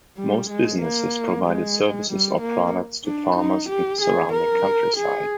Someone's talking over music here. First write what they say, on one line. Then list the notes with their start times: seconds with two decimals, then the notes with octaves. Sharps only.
Most businesses provided services or products to farmers in the surrounding countryside.
0.18 G3
0.50 G#3
0.81 A#3
1.46 G#3
2.10 G3
2.41 A#3
3.05 D4
3.37 D#4
3.69 G4
4.02 G#4
4.33 A#4
4.97 G#4